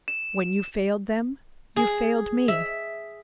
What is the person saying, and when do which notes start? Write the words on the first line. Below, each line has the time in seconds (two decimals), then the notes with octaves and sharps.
When you failed them, you failed me.
0.08 E7
1.76 G#4
2.48 E5